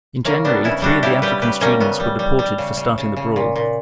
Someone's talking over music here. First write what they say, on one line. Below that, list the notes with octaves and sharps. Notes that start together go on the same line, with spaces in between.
In January, three of the African students were deported for starting the brawl.
C#3 A#3 C#4
G3 B3 D4
C#3 C#4 E4
G3 D4 F#4
C#3 E4 G4
G3 G4 B4
C#3 G4 B4
G3 A#3 C#4
C#3 B3
G3
G3
G3
C#3
C#3
C#3
C#3
A#2
A#2